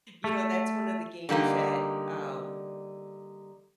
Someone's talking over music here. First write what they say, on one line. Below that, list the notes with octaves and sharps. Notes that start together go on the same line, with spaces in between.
you know, that's one of the games that, um,
A3
D3 G3 A#3 D#4